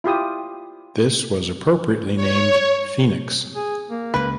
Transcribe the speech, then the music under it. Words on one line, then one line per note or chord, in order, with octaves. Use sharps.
This was appropriately named "Phoenix".
E4 F4 G4 D#6
C#5
G#4
A#3
C#2 C#3 B4